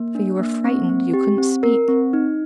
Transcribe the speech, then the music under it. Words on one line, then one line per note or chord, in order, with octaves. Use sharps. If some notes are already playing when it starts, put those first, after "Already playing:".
For you were frightened; you couldn't speak.
Already playing: A#3
D4
A#3
C4
C4
G4
C4
A#4
C4
D#4